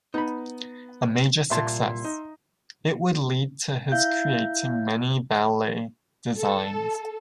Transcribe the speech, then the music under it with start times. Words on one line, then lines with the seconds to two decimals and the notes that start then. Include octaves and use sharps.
A major success, it would lead to his creating many ballet designs.
0.14 B3 D#4 B5
1.50 C2 A#2 E5 A5 C6
2.05 D#4
3.92 E4 E5 F5 G6
6.38 A4